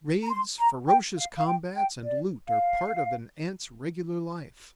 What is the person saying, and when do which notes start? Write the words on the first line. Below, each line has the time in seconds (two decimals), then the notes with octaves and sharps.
Raids, ferocious combats, and loot are part of an ant's regular life.
0.23 A#5
0.30 C6
0.59 A#5
0.88 G5
1.17 F5
1.38 F5
1.46 G5
1.75 G5
2.05 D5
2.48 F5